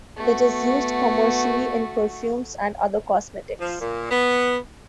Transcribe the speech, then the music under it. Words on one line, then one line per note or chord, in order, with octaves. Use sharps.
It is used commercially in perfumes and other cosmetics.
A3 B3 F#4
F3
A#2
B3